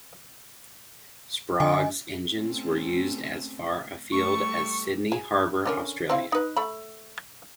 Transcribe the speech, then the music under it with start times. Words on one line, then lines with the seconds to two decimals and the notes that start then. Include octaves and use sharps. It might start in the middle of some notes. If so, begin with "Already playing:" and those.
Sprague's engines were used as far afield as Sydney Harbour, Australia.
1.60 D3 D#5 G#5
2.34 A3 C4 C#4
4.12 G3 A3 C#6
5.12 G#4
5.65 D3 C#4 A#4
6.10 C4 E4 F5
6.32 D#4 B4
6.56 A3 B5